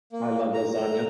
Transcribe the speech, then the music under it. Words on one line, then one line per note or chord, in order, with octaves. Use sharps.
I love lasagna,
A#3
A#5